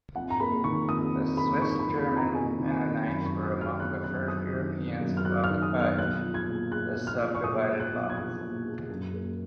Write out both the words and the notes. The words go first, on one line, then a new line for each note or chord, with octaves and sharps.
The Swiss-German Mennonites were among the first Europeans to occupy the subdivided lots.
F2 F#5
A#5
A#3 B5
D#3 C#6
F2 D#6
F2
A#3 B5
D#3 C#6
B5
F2
B5
F2
A#5
A#3 G#5
D#3
G#5
F2
F#2 B5
C#6
F#3
D#6
D#3
F6
B3 F#6
F#2 F#6
F#3 D#6
D#3
B3
F#2
F6
F#3 F#6
F6
D#3
D#6
B3
F6
B1 F#6
F3
G#6
A#2
G#3 F#6
B1
F6
F3
C#6
A#2 D#6
G#3
F#6
B1
G#6
F3 F#6
A#2
G#3
F#2
A#3